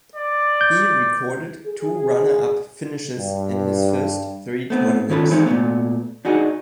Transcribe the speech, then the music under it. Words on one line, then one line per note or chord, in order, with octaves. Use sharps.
He recorded two runner-up finishes in his first three tournaments.
D5
G6
G#4
G2
A3 B3 C4
D#3 C#4 F4 A4 B4
E3 G3 G#3 C4 D#4 C#5
A#2 E3 A3 B3
D4 D#4 F#4 G#4